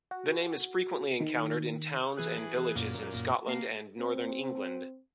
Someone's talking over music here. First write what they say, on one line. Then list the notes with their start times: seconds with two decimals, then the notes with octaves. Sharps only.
The name is frequently encountered in towns and villages in Scotland and Northern England.
0.11 F#4
1.20 D#3
2.17 E3 G#4 F#6
2.75 F#2 A#2 A#3
3.47 A#3 C7
4.00 C4